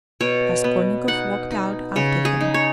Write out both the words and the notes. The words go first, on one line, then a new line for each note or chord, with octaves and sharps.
Raskolnikov walked out after him.
B2 C#5
B3
D#4 F#5
D#4
C#3 C#5
G#4
D#4
C#5